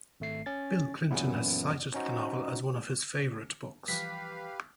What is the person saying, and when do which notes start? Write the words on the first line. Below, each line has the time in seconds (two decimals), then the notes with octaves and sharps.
Bill Clinton has cited the novel as one of his favorite books.
0.20 G#1 A3 C7
0.46 C#4 A6
1.11 F#2 A#2 E3 B3 C#4 E4
1.94 C#4 D#4 F#4 C5
3.88 E3 F3 G3 G4 B4 F5 B6